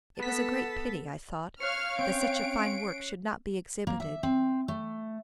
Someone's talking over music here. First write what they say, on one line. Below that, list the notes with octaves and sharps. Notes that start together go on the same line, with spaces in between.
It was a great pity, I thought, that such a fine work should not be exhibited.
B3 A4 A5 B6
C#5 F5 F6 F#6 C7 C#7
C4 C#4 G5 D7
A#3
E5
C4
A3